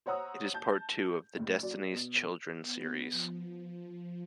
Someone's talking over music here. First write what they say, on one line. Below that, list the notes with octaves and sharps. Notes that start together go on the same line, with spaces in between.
It is part two of the "Destiny's Children" series.
C5 C#5 F#5 A#5 D#6 E6
A5 G6
F#1 A2
F#3 D5
B2
B3
F3